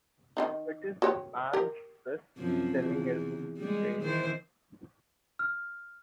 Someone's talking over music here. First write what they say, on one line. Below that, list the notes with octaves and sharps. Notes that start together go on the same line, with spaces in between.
It is the band's best-selling album to date.
D#3 D4 D#4
F#4 G4 C#5
G4 A#4
F#2 C3 F3
E2
G3 G#3
D#3 E3 C5
F6